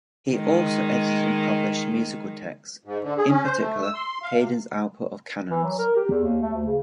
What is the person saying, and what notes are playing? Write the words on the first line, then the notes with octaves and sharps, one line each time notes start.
He also edited and published musical texts, in particular Haydn's output of canons.
D#3 G#3
G#2
D3
G#4
C#4
C5
A3
E6
C6
F5
C3
E3
F#3
A#4
G4
E2
D#2
A3
D2
C#3